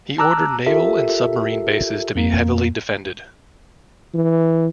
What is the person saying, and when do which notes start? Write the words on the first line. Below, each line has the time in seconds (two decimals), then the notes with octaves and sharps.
He ordered naval and submarine bases to be heavily defended.
0.18 A5 A#5 D6 E6 F#6
0.66 F4 G4 A4 A#4 E5
2.15 F2 A#3
4.14 E3